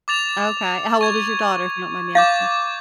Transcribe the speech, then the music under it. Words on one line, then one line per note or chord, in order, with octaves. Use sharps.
Okay how old is your daughter, if you don't mind me asking?
D6 A6 F7
C#6 G#6
F5 D6 G6 A6